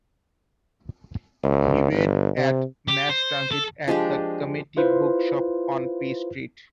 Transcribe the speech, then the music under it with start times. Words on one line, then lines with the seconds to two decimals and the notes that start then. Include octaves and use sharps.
He read at Mass Transit, at the Community Book Shop on P Street.
1.43 C#2
1.92 G1
2.37 C3
2.88 G4
3.09 C5
3.51 A4
3.88 F3 G#3 D4 G4
4.77 E4 F4 B4 C5